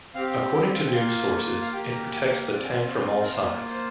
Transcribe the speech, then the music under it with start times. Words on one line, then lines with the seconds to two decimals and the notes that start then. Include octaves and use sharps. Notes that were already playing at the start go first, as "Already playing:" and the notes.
According to news sources, it protects the tank from all sides.
0.15 C4 G4 F5
0.54 G5
0.75 F5
0.93 A#3 F4 F5
1.62 F5
1.73 A#3 G4 G5
1.93 A#5
2.12 G5
2.32 F5
2.51 C4 F4 D5
3.23 A#4
3.31 A#3 F4 C5
3.70 C5